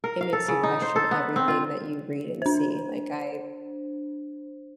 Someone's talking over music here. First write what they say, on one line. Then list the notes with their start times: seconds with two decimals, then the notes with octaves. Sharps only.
it makes you question everything that you read and see. Like, I
0.04 A#4
0.21 F5
0.33 A4
0.48 C#3
0.63 D#4
0.82 C5
0.96 A4
1.11 B3
1.36 C4
1.48 F4
2.42 D4 C5